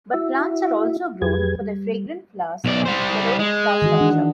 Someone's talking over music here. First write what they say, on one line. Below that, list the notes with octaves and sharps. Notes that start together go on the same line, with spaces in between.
But plants are also grown for their fragrant flowers and peloric flower structure.
E4 F#4 E5
F2 F#3 G4 G#4 B4 G#6
G3
B1 D5
G3 C5
G#3
D#3 E3 F#4
D4 F#5